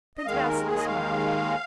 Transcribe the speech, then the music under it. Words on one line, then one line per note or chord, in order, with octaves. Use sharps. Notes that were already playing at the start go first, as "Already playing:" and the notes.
Prince Vasili smiled.
D#5
D#2 D#3 G#3 F5
A#4
G#4
D#5
F5